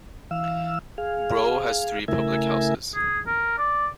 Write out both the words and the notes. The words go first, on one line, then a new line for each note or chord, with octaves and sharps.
Brough has three public houses.
E3 F5 E6
G#4 F5
C#3 A3 E4 A#4 E5 G#5
G#4
A#4
D5